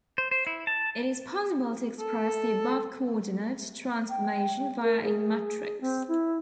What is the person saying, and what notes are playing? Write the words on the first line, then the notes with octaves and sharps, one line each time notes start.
It is possible to express the above coordinate transformation via a matrix.
C5
C5
E4
A5
A4
G5
A#4
G#4
C4
E4